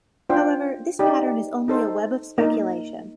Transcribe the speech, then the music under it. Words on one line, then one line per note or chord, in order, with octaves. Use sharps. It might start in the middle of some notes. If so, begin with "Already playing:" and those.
However, this pattern is only a web of speculation.
D4 F4 C5 G5
D#4 G4 D5
D#4 A4 C5
A#3 D#4 A#4